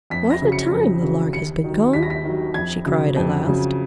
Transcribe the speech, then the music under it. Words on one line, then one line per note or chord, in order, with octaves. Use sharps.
"What a time the Lark has been gone!" she cried, at last.
F2 B6
A#6
C#3 F#3
C#7
F2
C#3 F#3
D#2 C#7
D#3 F#3
D#2 B6
A#6
B6
D#3 F#3
F2 G#6
C#3 F#3
F2
C#3 F#3